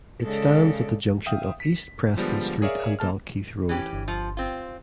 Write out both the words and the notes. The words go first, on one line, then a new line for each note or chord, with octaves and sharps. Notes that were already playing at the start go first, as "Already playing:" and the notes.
It stands at the junction of East Preston Street and Dalkeith Road.
C#3 G#3 A4 D5
E5 F5 G5 D#6
B6
D3 F3 G3 G#3 B3
G#4 A#4 C#5 D5 E5 F5
A#3 A4 A5 F6
E3 C#4 G4
G1
F3
C4 F4